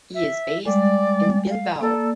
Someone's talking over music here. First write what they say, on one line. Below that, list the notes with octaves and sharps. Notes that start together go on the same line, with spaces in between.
He is based in Bilbao.
E5
G3 G#3 D5
F5
A#3 A4 D5